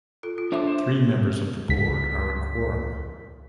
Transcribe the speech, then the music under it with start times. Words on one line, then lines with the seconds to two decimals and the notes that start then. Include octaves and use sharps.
Three members of the board are a quorum.
0.23 F4 A4
0.38 F4
0.52 D4 A4 C5 E5 D6
0.67 C5
1.69 C#2 B6